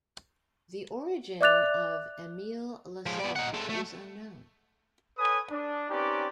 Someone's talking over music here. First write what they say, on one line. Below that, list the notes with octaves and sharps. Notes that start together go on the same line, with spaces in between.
The origin of Emil LaSalle is unknown.
D5 E5 D6 F#6 A6 F7
F3 G#3
B3 D5
D#4 F#5
G#3 A4
A3
A4 B4 C#5 G#5 D#6
D4
C4 C#4 D#4 G4 B4 D5